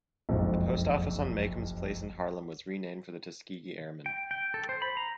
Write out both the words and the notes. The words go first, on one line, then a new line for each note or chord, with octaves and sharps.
The post office on Macombs Place in Harlem was renamed for the Tuskegee Airmen.
F#1 B1 F2 G#2 F3
G5
G5
A4
C5
B5
A#5